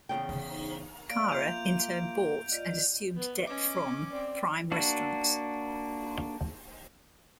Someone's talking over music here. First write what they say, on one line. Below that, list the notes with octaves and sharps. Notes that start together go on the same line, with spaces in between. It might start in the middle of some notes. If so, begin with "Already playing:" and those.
Cara in turn bought, and assumed debt from Prime Restaurants.
E2 A#2 C#3 G5
A#3 D5 D7
F4 E5 C6 G6 F7
F4 D5 D#5
B3
C#4 C#5 D#5 D6
C4 D5
A#3 D4 F#4